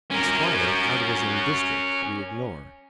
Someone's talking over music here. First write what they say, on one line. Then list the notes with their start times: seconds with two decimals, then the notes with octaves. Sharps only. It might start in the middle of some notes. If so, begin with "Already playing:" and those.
The Squire, out of his own district, we ignore.
0.11 C#4 A#4